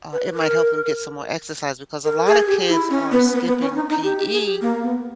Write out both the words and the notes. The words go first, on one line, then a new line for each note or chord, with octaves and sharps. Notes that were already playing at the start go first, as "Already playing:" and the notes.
uh, it might help them get some more exercise, because a lot of kids are skipping PE
B4
A#4
A#4
G#4
G4
E4
C#4
B3
B3
B3
C#4
D#4
D#4
G4
G4
G#4
G4
A#3
B3